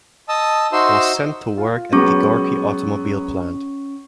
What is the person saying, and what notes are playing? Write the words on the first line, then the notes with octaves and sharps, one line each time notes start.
Was sent to work at the Gorky Automobile Plant.
D#5 A5 D#6 E6
D#4 F#4 C5 E5 C6 E6
F4
F#3 G#3 B3 C#4 C#6